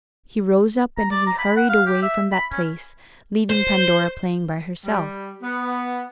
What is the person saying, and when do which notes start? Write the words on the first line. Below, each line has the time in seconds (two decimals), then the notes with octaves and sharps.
He rose up and he hurried away from that place, leaving Pandora playing by herself.
0.97 A#5
1.11 D5
1.27 A#5
1.38 B5
1.57 F#5
1.69 F5
1.86 G4
2.02 E5
2.32 B5
2.52 C#4
3.50 C5
4.85 G3
5.42 B3